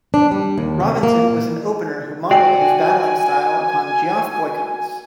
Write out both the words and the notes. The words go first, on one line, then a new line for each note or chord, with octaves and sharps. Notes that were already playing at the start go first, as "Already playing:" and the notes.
Robinson was an opener who modelled his batting style upon Geoff Boycott's.
D4
G3
D#2
C3
A#3
A#2
F#4 D5 G5 G#5